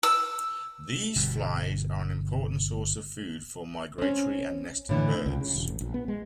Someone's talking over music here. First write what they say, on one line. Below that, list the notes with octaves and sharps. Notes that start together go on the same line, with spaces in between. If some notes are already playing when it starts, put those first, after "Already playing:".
These flies are an important source of food for migratory and nesting birds.
E6
G1 B2 G3
C4 C#4
A2 D3 E3
C#2
C#3
E1
A1
A#1
B3
G#3